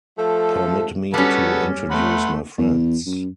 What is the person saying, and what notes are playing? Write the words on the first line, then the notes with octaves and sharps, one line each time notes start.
Permit me to introduce my friends.
F3 A3 A4
G3 B3 C#4 F#4 A4
A3 F#5 B5 C6
E2
F#2